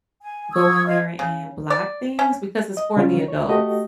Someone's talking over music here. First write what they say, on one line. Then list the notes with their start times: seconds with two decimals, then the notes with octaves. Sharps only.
go in there and block things, because it's for the adults.
0.21 G#5
0.52 C#6 D#6 E6 G#6
0.85 F4 D#5 F5 G#6
1.19 C#3
1.70 D5
2.19 C#4
2.77 D#5
2.97 C#3 F#3 G3 C#4 F4 C#5
3.28 C#5
3.49 A3 F#4 G4 D#5